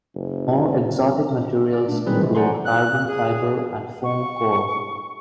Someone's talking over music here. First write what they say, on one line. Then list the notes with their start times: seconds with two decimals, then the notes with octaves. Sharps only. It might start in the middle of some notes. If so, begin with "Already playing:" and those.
More exotic materials include carbon fiber and foam core.
0.15 F#1
1.73 D5
1.88 A3 D4
2.06 D#3 F#3 G3 C4 G#4 B4
2.22 C3 E3 F3 G#3
2.35 C5 D5 F#5 G#5 A#5 C6
2.65 F#6
3.07 G#4
4.04 C#6